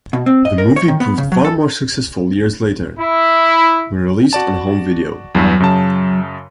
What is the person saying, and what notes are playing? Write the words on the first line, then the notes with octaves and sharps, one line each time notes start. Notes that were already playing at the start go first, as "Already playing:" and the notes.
The movie proved far more successful years later, when released on home video.
B2
C4
D#5
A#4
C#5
D#3
B3
C#3
F#3
A4
E4
F#4 D5 A5
E2 G2 F#3
F#2 C#3 A5